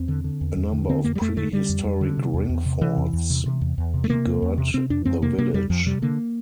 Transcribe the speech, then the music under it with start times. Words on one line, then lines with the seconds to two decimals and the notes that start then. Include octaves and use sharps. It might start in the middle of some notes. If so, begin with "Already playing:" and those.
A number of prehistoric ringforts begird the village.
Already playing: E2 C4
0.08 D3
0.24 D3
0.41 E2
0.57 E2
0.72 D3
0.89 D3 C4
1.04 F2 A#3
1.15 G3
1.21 F2 A3
1.36 D3 A3
1.53 D3 G3
1.69 F2
1.85 F2
2.01 D3
2.17 C3
2.34 E2
2.49 E2
2.66 C3
2.81 C3 E3
2.97 E2
3.13 E2
3.30 C3
3.46 C3
3.61 E2
3.78 E2
3.94 C3
4.04 A3
4.10 C3 A#3
4.26 E2
4.42 E2
4.58 C3
4.74 C3 C4
4.90 F2 D4
5.05 F2 C4
5.22 C3 A#3
5.38 C3 A#3
5.54 F2 G3
5.70 F2 F3
5.86 C3 G3
6.02 D3 A#3